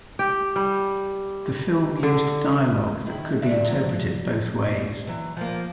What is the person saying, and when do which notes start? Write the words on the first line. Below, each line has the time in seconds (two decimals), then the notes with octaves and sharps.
The film used dialogue that could be interpreted both ways.
0.19 G4
0.56 G3
2.03 D3
3.06 D#3 E4
3.42 G2 D3 E5
3.68 F3 F#3
4.65 A#2
5.07 E3 F#3
5.37 F3 A#3